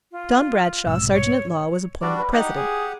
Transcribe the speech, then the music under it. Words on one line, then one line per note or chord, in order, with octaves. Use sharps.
JOHN BRADSHAW, serjeant-at-law, was appointed president.
F4
B1 G#2 C3 E6
C#5
G3 D4 F#4 D5
B4
D#4 G4 F#5
G#4